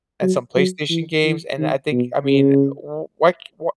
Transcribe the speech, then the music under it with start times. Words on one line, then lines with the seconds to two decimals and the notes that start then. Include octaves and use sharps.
and some PlayStation games, and I think I mean, w why c wha
0.22 F#3
0.56 F#3
0.90 E3
1.24 E3
1.58 D#3
1.91 B2
2.25 C#3